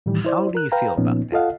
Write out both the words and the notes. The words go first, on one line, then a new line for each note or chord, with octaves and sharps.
how do you feel about that?
A2 D#3 E3 G3
E4 C5 D5
A#4 F#6
B4 F5 G5 A#5
A#2 F3 B3 C#4 D#4
F4 A4 D#5 F5 F#5